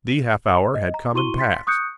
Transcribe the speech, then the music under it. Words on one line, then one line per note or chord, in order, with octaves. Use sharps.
The half-hour had come and passed.
D#5
A#5
E4 F#4 C6 C#6 D#7 G7
C6 A6 B6
C#6 D#6 F#6 G6 C#7